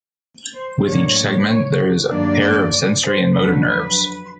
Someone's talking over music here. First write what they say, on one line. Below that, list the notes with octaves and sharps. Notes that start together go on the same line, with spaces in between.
With each segment, there is a pair of sensory and motor nerves.
C5
A2 F#3 A#3 D4 C#5
C#5
G2 D#3 F#3 A#3 D4 D5
C5
F2 D3 F#3 B4
B4